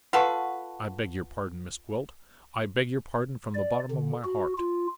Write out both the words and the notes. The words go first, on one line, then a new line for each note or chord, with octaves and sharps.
I beg your pardon, Miss Gwilt; I beg your pardon from the bottom of my heart.
F4 A4 B4 F#5 A5 C#6
D5
D3
F#4
F4